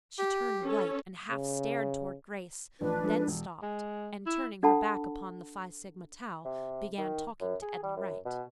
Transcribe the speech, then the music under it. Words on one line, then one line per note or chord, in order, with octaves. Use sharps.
She turned white and half started toward Grace, then stopped, and, turning her back upon the Phi Sigma Tau, began talking to Edna Wright.
G4
C#4 A4 C#5
C#3
A1 F3 D4 B4
F3 G#3 A4
E1
G#3
E4
D4 A4 F#5 A5 B5
C3
D#3
F#2
G#4
G3
F#2
B2